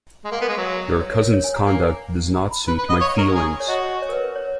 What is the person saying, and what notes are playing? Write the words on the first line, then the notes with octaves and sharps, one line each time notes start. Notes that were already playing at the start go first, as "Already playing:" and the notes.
Your cousin's conduct does not suit my feelings.
G#3
A#3 F#5
B3
G#3
F#3
F5
B4
C#5
A#4
C#5
C#5
G#5
A#5
A#3 G#5
A#5
B5
B4
B4
D#5 F#5
C#5 F5
A#4
G#4
C#5
F#4 D#5
C#5
A#4
B4
B4
C#5